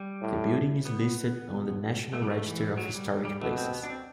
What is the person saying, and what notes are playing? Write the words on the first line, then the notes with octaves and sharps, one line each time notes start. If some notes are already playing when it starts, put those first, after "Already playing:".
The building is listed on the National Register of Historic Places.
Already playing: G3
A2
B3
B2
A3
G3
A3
E3
F#3
G3
G3
B2 A3
C4
B3
D4
C4